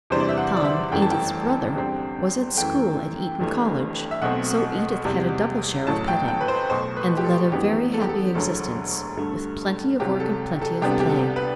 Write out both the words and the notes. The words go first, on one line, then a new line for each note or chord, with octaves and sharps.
Tom, Edith's brother, was at school at Eton College, so Edith had a double share of petting, and led a very happy existence with plenty of work and plenty of play.
E2 C3 E3 G3 D4 C5
D5
E5
F#5
D5
E5
G1 F#2 E3 A3 G5
A5
G5
E2 D3 G3 C4
F#2 E3 A3 G5
G1 G2 E3 A3
E5
B1 B2 A3 C4 F#5
E2 C3 G3
A1 A2 F#3 A5
G5
G5
B4
C5
B1 B2 A3 C5
B4
G4
A4
F#2 E3 B3 D4 G4
A4
G4
A4
E1 D2 D3 F#3 A4
G2 D3 A3
C2 C3 F#3 G4
A4
A4
C2 C3 G3 B3 D4 G4
A4
G4
A4
B4